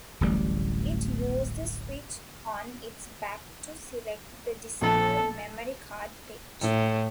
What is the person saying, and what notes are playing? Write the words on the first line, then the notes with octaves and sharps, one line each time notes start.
It used a switch on its back to select the desired memory card "page".
D1 A1 G3
A#1 A4 A5
A2